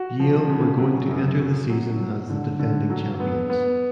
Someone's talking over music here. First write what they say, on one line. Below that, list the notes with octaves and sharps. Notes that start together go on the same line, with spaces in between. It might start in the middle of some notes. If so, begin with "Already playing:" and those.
Yale were going to enter the season as the defending champions.
Already playing: F#4
F3
C#3
F#3
F#2
F#4
F#3
F#3
D3
D3
F#3
B3
B3